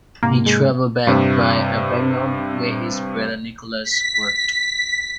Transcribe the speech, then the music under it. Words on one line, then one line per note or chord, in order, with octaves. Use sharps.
He travelled back via Avignon where his brother Nicolas worked.
G#2 C3 A#3
G#3
G2 C3
B6